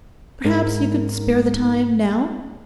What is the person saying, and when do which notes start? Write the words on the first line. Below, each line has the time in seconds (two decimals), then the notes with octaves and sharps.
Perhaps you could spare the time now?'
0.45 G#2 A#4